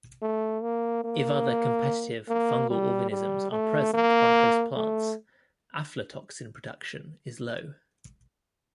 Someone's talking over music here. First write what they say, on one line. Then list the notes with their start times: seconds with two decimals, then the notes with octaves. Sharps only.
If other competitive fungal organisms are present on host plants, aflatoxin production is low.
0.22 A3
0.63 A#3
1.04 A#3
2.29 A#3
2.70 G3
3.11 G3
3.52 A3
3.94 A#3
4.77 A3